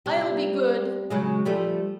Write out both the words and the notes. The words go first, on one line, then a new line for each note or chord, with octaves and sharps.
I'll be good!'
C3 G3
C#3 F#3 G#3
F3 G3 A3